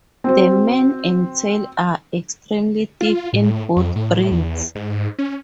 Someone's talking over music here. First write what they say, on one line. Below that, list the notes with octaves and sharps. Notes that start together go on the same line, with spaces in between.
The mane and tail are extremely thick in both breeds.
C4 F#4 C5
F4
A2
F2
A2
E2
G#2
C#4